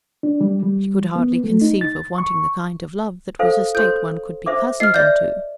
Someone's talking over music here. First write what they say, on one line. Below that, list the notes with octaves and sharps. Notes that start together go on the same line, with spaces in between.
She could hardly conceive of wanting the kind of love that was a state one could be cozened into...
D4
G3
G3
B3
A3
D#4
A6
C#6
A4 C5 F5
A4 C5 C6 G6
C5 E5 D6
D#5 F6 C7
D5 E5 G6